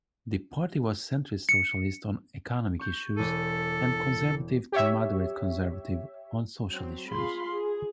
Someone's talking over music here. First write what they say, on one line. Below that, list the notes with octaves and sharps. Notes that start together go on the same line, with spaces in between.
The party was centrist-socialist on economic issues and conservative to moderate-conservative on social issues.
C#7
C#6 G6
E1 A4 D#7
G4 C#5 E5
F#3 C4
F4 G#4 F5 B5 C6
G#4